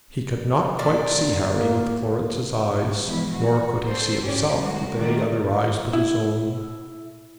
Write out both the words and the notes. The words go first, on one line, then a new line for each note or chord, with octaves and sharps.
He could not quite see Harry with Florence's eyes nor could he see himself with any other eyes but his own.
A#2 D5
A#3
E2 B2 F3 G#3 E4
F#4
A4 C5
C#4 G4 D5
G3 G#3 F#4
G2 D#3 G3 A3 D5
E4